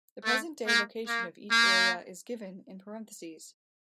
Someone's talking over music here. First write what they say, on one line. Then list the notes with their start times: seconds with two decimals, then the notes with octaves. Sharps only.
The present day location of each area is given in parenthesis.
0.24 A3
0.66 A#3
1.08 A#3
1.52 A#3